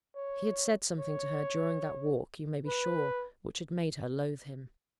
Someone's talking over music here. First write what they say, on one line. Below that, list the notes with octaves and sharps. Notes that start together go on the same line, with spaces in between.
He had said something to her during that walk, you may be sure, which had made her loathe him.
C#5
C#5
B4